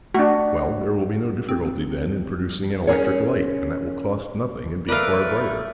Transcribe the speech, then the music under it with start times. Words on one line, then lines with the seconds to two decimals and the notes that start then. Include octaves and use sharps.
"Well, there will be no difficulty then in producing an electric light, and that will cost nothing, and be far brighter."
0.14 A3 D4 F#4
1.49 C4
2.87 C#4 G#4 A#4 C#5
4.88 A3 A#4 B4 D5 F5 E6